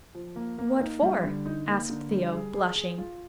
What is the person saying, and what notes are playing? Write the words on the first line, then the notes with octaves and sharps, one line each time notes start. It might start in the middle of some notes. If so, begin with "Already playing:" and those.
"What for?" asked Theo, blushing.
F3
A#3
A#3
D#4
G3
D3
D#4
A#3
D3
G3
G#4
G#4
G#4
F4